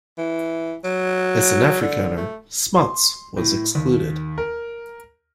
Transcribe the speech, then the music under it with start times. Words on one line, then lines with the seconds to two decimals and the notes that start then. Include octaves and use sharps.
As an Afrikaner, Smuts was excluded.
0.18 E3
0.84 F#3
1.82 D3
2.17 A3
2.76 C6
3.37 A2
3.75 D#2
4.38 A#4